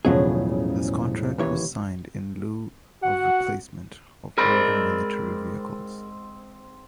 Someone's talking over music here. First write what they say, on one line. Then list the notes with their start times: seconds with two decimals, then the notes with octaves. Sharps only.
This contract was signed in lieu of replacement of older military vehicles.
0.05 E1 A2 C#3 F3 F#3 G#4
1.38 D#2 E3 C#5
3.03 F#4 F#5
4.38 G#2 C4 G#4 A#4 D5 B5